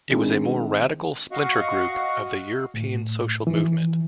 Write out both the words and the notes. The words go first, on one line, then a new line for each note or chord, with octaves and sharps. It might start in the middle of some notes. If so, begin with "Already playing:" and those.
It was a more radical splinter group of the European Social Movement.
D#3 G#3 C4 D4 E4
F#4 D#5 F5 F#5 C#6
A2
E3